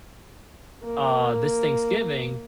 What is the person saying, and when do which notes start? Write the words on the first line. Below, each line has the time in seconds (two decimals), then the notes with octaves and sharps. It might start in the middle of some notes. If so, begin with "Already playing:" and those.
r uh, this Thanksgiving,
0.83 A#3 A#4